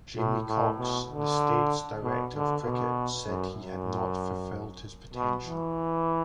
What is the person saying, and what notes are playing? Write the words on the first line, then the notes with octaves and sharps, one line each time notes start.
Jamie Cox, the state's director of cricket, said he had not fulfilled his potential.
A2
A2
B2
D3
B2
D3
B2
F#2
F#2
B2
E3